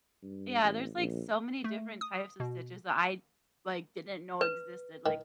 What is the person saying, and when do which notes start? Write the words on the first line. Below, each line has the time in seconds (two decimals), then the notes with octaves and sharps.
Yeah, there's, like, so many different types of stitches that I, like, didn't know existed, like,
0.22 G2
0.63 A1
0.95 A#1
1.64 A3
2.01 D#6
2.40 B2
4.41 B4
5.06 D#3